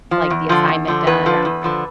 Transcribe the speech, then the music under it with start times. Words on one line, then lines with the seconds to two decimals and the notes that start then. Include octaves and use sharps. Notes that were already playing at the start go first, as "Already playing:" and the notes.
like, the assignment done or
0.11 F3
0.30 E2
0.49 D3 F3
0.68 E2
0.88 D3 F3
1.07 E2 B4
1.26 D3 F3
1.45 E2
1.64 D3 F3